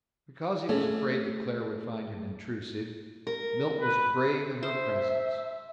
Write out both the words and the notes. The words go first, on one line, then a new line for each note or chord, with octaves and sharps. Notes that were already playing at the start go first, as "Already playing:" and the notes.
Because he was afraid that Claire would find him intrusive, Milt was grave in her presence.
C#3 A3 C#4
A#4
B4
C5 E5